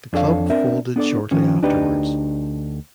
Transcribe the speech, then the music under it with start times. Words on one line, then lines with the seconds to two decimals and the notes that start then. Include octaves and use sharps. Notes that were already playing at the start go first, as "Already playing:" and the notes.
The club folded shortly afterwards.
0.13 F2 D4 A4 C#5 F5
0.50 C4 D4 A#4 E5
0.96 B3 D4 A4 D5
1.31 D#3 F3 C#4
1.62 D2 D4 D#4 G4 B4